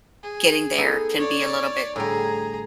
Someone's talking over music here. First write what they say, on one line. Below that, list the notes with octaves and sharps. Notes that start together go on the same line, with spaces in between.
getting there can be a little bit
G#4
B3 D#4 A4
C#5 D5
A2 D3 G3 G#4 A#5